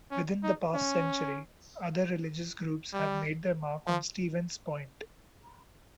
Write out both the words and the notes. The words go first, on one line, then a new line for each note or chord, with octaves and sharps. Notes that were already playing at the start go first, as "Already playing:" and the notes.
Within the past century, other religious groups have made their mark on Stevens Point.
C#4
D#4
C#4
G3
F3